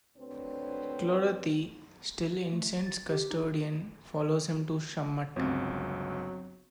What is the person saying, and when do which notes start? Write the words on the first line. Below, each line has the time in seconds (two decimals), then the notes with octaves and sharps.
Klorathy, still Incent's custodian, follows him to Shammat.
0.17 D2 C4 D4 B4 C#5
2.53 A3
2.85 A6
3.10 G4
3.31 D#4
5.36 G1 C#2 F#3 C4